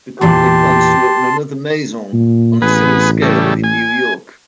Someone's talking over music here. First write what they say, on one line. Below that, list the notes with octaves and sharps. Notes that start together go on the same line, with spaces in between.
The company plans to open another "Maison," on a similar scale, in New York.
E2 A#2 E3 G4 A5 C6
A#2
A1 B3 G#4 B4
C#3 G3 A3
G#5